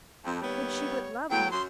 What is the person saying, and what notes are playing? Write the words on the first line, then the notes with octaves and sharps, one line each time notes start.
Would she but love me!
F2
D#2 G3 B3 C#5
E2 A2 F#3 G5
F#2 C6